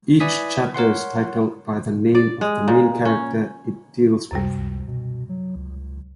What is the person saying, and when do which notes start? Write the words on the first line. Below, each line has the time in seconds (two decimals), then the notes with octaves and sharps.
Each chapter is titled by the name of the main character it deals with.
0.20 E4 B4 D5 G#5 D#6 B6
0.74 A#4 C#5 F#5 C6
2.15 D5
2.41 G#3
2.68 A#2
3.05 C#4
4.31 C#2 F#2 C3 G3
4.58 C#2
4.87 B2
5.29 F#3
5.56 C#2